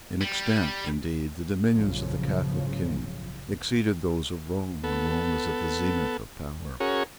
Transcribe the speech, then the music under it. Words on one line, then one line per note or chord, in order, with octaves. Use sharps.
In extent, indeed, the dominions of the Catholic King exceeded those of Rome when Rome was at the zenith of power.
G3
A#1 E2 G#2 C#3 F3 F#3
B3 A4
C#4 F#4 G#4 A#4 C#5